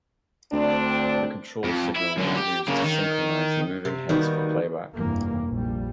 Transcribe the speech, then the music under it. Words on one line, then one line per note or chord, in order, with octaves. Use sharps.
The control signal was used to synchronize the moving heads for playback.
D2 C4 D4
F2
E4
F#2 D3
G4
C#3 A#3
D#3
C3
D#3 G3 A#3 B3 F#4
F1 G2 E3 A#3
A#1 G3